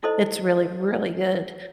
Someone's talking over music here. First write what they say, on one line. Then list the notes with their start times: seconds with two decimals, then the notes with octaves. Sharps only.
it's really, really good.
0.03 D#4 E4 A4 C5 D#5